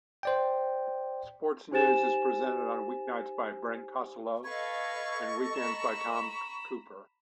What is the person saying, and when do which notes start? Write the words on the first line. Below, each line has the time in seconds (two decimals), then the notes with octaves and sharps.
Sports news is presented on weeknights by Brent Costelloe and weekends by Tom Cooper.
0.23 C5 D5 G5
1.71 D#4 G4 C5 G#5 A6 E7
4.44 A4 B4 D#5 F5 C#6 G#6
5.55 A#5 B5 E7